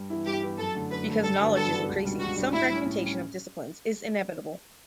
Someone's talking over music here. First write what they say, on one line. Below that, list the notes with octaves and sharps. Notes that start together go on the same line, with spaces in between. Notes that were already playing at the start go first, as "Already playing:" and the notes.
Because knowledge is increasing, some fragmentation of disciplines is inevitable.
Already playing: G2
E3 B3 E4
G2 G4
E3 B3 E4
F#2 A4
D3 A3
F#2 B4
D3 A3
G2 A4
D3 F#3 B3 D4
G2 A4
D3 F#3 B3 D4
C#2
B2 G3 D4
C#2 F#4
B2 G3 D4
A2 E4
G3 C#4
A2
G3 C#4